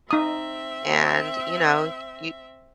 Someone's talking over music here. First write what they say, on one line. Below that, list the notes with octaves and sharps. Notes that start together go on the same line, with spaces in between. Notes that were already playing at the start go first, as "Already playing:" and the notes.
and, you know, y
C4 D#4 E5 D#6